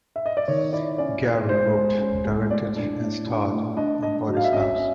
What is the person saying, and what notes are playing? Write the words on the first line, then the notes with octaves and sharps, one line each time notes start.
Gary wrote, directed and starred in Bodyslams!
E5
D#5
D5
D#3 C#5
E4 D5
C#4 D5
E4
G#3 C5
G#3
C#4
G#3
A2 D5
D4
A2
D4
A3
D4 D#5
D4 D#5
F#3
F5
E5
C#4 D#5
E5
C#4